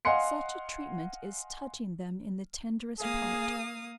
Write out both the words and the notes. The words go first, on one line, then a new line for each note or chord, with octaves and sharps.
Such a treatment is touching them in the tenderest part.
D#5 F5 F#5 G#5 C6 C#7
A#3 G#4 F5 D#6